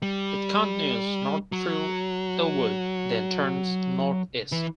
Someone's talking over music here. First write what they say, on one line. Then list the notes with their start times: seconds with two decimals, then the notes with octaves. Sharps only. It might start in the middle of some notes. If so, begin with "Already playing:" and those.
It continues north through Elwood, then turns northeast.
0.02 G3
1.52 F#3
4.52 E3